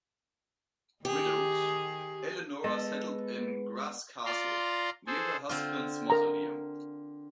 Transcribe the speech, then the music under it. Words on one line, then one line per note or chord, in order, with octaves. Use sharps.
Widowed, Eleonora settled in Graz Castle, near her husband's mausoleum.
D#3 G4 G#4
G#3 B3 A4 D#5
F4 D5 A#5 C6
G#4 A4 C5
D3 C4 F4
A#4 A#5